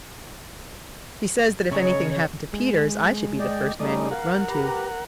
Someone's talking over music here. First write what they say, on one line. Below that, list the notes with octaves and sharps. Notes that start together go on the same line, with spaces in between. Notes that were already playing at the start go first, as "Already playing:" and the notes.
He says that if anything happened to Peters, I should be the first man he would run to.
C#3 C#4 D#4 E4 C#5 C#6
G#3
D5 D#5 G5
G3 A3 C#4 D#4 D5 D#5
A#4 F5 F#5
G4 B4 A#5